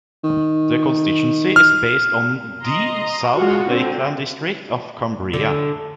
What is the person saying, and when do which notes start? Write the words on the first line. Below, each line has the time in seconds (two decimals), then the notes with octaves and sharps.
The constituency is based on the South Lakeland district of Cumbria.
0.24 D#3
1.56 F6
2.62 D#5 A#5 C6
3.36 G#3 F4 F#4
3.67 D3 C4
5.33 D3